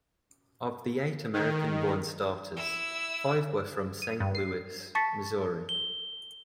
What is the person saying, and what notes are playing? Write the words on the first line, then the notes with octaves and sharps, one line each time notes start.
Of the eight American-born starters, five were from Saint Louis, Missouri.
D#3
E4 E6
D#7
G2
C7
A5 C#6 A6 B6 C#7
G7